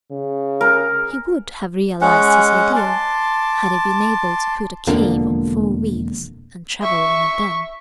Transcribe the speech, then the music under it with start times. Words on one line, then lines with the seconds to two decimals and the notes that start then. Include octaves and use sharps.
He would have realized his ideal, had he been able to put a cave on four wheels and travel in a den.
0.11 C#3
0.61 G#4 A#4
2.01 G#3 C#4 F#5
2.76 A5 C6 D6
4.87 E1 F2 D3 A#3
6.81 E5 C#6